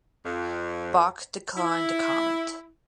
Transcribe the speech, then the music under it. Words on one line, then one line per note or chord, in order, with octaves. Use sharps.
Bach declined to comment.
F2
E4